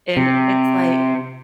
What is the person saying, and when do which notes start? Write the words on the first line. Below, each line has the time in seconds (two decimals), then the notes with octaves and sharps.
and it's, like,
0.17 C3